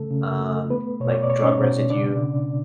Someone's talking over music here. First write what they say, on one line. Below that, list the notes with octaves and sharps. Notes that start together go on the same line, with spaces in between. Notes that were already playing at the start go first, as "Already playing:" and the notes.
um, like drug residue.
Already playing: C#3 A3 A4
C#3
A3
B3 B4
B2 C#5
D5
C#5
D5
B2 C#5
D5
C#4 C#5
B2
C#3 D4 D5
C#3